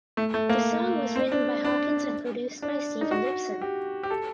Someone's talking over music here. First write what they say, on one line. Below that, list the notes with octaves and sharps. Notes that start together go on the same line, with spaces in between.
The song was written by Hawkins and produced by Stephen Lipson.
A3
A3
A#3
C4
D4
D4
D4
D#4
F#4
G4
G4
A4